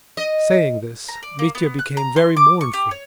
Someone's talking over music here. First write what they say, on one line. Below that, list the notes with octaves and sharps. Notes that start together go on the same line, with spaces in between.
Saying this Mitya became very mournful.
D#5
A#5
D5
A#3
B3
F#6
A#5
C6
D6
C#6
G4
C#5